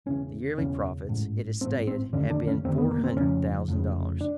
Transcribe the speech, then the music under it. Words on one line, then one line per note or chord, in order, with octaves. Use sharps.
The yearly profits, it is stated, have been four hundred thousand dollars.
E1 E2 C#3 C#4
E1 E2 C#3 C#4
A1 G#2
A1 G#2 C4
C4
F1 D#2 D3 C#4
D4
C#4
F1 D#2 D3 C4
B3
A#3
C4
F1 F2 C#3 C#4
F1 F2 C#3
D4